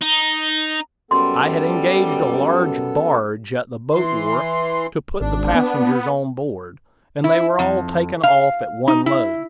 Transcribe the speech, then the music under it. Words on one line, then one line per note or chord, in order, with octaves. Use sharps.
I had engaged a large barge at the boat-wharf to put the passengers on board, and they were all taken off at one load.
D#4
F#2 G3 B3 A4 C6
E3 C6
G#1 D4
B3
E4
F2
F5
D#4
E4